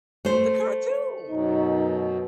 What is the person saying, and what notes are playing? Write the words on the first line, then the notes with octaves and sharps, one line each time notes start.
The cartoon.
A3 C5
F#2 B2 F#3 D#4